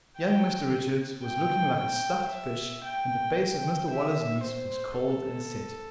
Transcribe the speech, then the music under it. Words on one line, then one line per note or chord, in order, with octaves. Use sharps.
Young Mr Richards was looking like a stuffed fish, and the face of Mr Waller's niece was cold and set.
G5
G5
G5
E5
G5
G5
E5
C5
A4